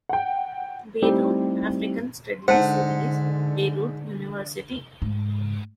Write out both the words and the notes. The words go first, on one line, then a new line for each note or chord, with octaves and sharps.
Beirut African Studies Series, Beirut University.
F#5 G5
G3 A3 C4 D#4 E4 G4
G#2 D3 C5 F#5 A5
G#2